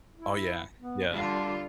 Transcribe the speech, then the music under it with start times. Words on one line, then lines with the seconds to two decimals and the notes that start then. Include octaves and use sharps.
Oh, yeah. Yeah.
0.16 E4
0.79 B3
1.11 D3 G3 D4 F4